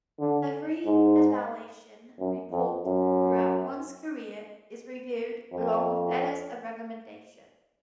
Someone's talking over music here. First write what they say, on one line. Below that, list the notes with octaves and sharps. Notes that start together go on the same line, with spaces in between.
Every evaluation report throughout one's career is reviewed, along with letters of recommendation.
D3
G#2
F#2
F2
F#2
F2